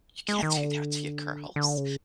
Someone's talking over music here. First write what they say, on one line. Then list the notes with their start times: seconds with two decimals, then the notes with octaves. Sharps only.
you can't do that to your girls.
0.29 G#3
0.43 D#3
0.57 D3
1.56 D3
1.77 C#3